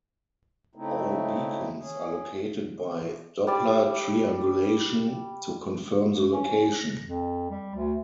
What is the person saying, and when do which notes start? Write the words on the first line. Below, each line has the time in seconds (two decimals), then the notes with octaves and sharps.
All beacons are located by doppler triangulation to confirm the location.
0.75 C#3 A3 C4 D#4 E4
1.78 C#4 G#4
3.47 G3 D5
6.32 C#4
7.05 F2
7.50 G3
7.75 D2